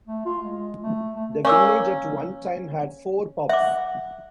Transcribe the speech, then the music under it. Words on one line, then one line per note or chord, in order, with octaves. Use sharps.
The village at one time had four pubs.
A3
F4
G#3
A3
A3
A#3 C#4 C#5 D6 E6
E5 F#5 D6